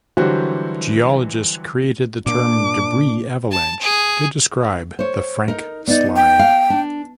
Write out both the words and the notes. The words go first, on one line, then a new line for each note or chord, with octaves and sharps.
Geologists created the term "debris avalanche" to describe the Frank Slide.
D3 E3 F#3 G3 F#4 C5
A#2 A#3 D4 D6
A5
G#4
C5 C#5
D#4 A#4
B3 D#4 D5
G5
F5
D4